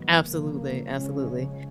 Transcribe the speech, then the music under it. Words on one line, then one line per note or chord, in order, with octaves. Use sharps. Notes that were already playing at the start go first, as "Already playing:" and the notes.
Absolutely, absolutely.
Already playing: G#2 D#3 F#3 B3
C#3 F3 A#3
C#3 F3 G#3 C#4